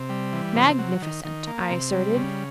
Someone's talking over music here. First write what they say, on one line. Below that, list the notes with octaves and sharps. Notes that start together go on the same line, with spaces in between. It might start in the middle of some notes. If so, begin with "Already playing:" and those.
"Magnificent!" I asserted.
Already playing: C3
G3
E3
C3
F#3
D#3
D#3
A#3
C3
G3
C#3